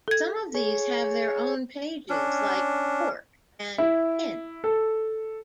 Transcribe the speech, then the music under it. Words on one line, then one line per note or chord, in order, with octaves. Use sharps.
Some of these have their own pages, like "fork" and "pin".
A4 G#6
G#4 C#5
C#4 D4
E4
A4